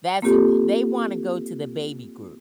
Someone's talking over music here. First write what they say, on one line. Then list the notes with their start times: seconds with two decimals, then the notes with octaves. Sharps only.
that's who they wanna go to the baby group.
0.22 A#3 C4 F4 G4 A4